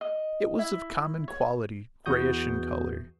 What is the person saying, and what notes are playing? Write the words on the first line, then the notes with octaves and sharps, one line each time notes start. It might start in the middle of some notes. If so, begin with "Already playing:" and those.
It was of common quality, grayish in colour.
D#5
E4
C#5
E2 F#4 D#6 G6